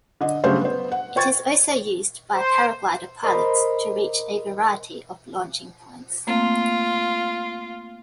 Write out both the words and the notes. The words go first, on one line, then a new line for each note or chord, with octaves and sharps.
It is also used by paraglider pilots to reach a variety of launching points.
D3 D#5
C#3 F#3 G3 A3 D4 C5
B3 C5
F#5
C5 G5 C#6 G#6 A6
C5
A#4 C5 D5 D#5 B5
A3 A#3 C4 F4